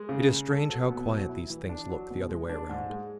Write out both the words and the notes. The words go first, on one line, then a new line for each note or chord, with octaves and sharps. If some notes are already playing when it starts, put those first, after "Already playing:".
It is strange how quiet these things look, the other way round.
Already playing: G#3
C#3
G#3
A4
F#3
B2
F#3
E4
E3
D4
F#3
B2
G#3
D4
G#2
G#3